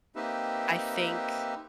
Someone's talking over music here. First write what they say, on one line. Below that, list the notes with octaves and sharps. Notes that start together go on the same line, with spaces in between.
I think
A#3 C4 D#4 G4 B4 E5